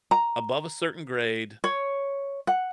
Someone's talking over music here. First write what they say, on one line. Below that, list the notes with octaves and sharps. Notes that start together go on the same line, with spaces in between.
above a certain grade
A#5
C#5
F#5